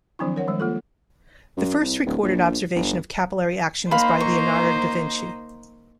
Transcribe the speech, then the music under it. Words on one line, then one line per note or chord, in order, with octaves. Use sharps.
The first recorded observation of capillary action was by Leonardo da Vinci.
D#3 F3 F#3 C4 D4 E4
A#4 C#5 F#5
D#3 F3 G3 G#3
A#3 F4 A4
F#2
C2
D1
A#1
G1
A#3 D#4 C5 F5 B5
C#6